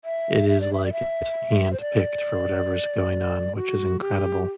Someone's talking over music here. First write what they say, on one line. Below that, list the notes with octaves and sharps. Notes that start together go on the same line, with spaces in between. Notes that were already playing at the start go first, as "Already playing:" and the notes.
it is, like it's handpicked for whatever is going on, which is incredible,
E5
E5
D5
E5
D5
E5
C5
D5
F#4
G4